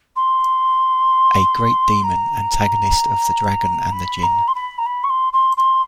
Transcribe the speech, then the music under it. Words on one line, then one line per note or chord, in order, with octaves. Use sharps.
A 'Great Demon', antagonist of "The Dragon and the Djinn".
C6
A#5
B5
A#5
C6
B5
A#5
B5
C#6
C6
C6
C6